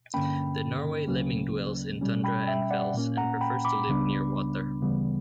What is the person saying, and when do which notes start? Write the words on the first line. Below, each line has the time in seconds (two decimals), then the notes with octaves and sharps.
The Norway lemming dwells in tundra and fells, and prefers to live near water.
0.14 G2 D3 A#3 C#4 G5 B5
1.08 D2 C#3 F#3 A#3 C#4
2.01 B2 G3 C#4
2.24 G5 B5
2.47 E5 G5
2.70 D5 F#5
2.94 A#2 A#3 C#4
3.17 F#5 A#5
3.41 G5 B5
3.65 B5 D6
3.87 C#2 C#3 G3 B3 D4
4.81 D2 C#3 E3 G3 B3